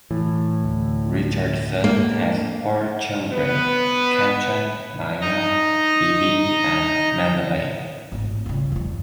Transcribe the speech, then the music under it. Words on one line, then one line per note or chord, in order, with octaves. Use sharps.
Richardson has four children, Kanchan, Maya, Bibi and Madeleine.
A2 E3
D2
G#3 A#3 D4
B3 B4
D#4 D#5 A#5
G#1 A2
G2 C#3
E2 G2